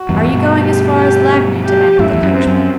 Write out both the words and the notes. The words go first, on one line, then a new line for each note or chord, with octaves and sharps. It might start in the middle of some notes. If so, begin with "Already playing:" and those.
"Are you going as far as Lagny?" demanded the coachman.
Already playing: F#4
E2 G2
A2
G2 B2
G4
G4
G4
F#2 A2 E4
E2
F#2
C4
F#2